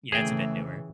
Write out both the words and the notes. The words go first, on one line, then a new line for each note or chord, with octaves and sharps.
Yeah, it's a bit newer.
C#3 E3 A3 G#4 G5